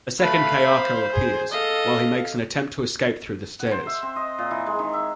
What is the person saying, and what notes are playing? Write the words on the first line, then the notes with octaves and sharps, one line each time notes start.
A second Kayako appears, while he makes an attempt to escape through the stairs.
A3 B4 F5 B5
C5
G#4
A4 D#5 F5
F#5
C5
E5
C4
D#5
A#2
E3
G#3
D#3
E5